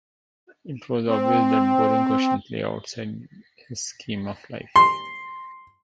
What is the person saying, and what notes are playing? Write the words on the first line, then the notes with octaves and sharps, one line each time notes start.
It was obvious that boring questions lay outside his scheme of life.
C4
C6